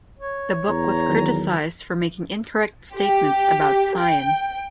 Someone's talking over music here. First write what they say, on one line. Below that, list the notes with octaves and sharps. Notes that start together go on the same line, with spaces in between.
The book was criticized for making incorrect statements about science.
C#5
E2 A#5
D#3 F#3
G4
G5